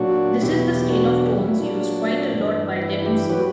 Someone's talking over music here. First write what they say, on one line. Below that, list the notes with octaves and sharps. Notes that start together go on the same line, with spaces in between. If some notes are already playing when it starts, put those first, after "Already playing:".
This is the scale of tones used quite a lot by Debussy.
Already playing: A#2 F#3 D4 F#4
E2 B2 F#3 E4 G4
E4
E4 G4
D4 F#4
G4
F#4
A#2 F#3 E4
D4
G2 E3
E4
E4 G4
F#3 G4 B4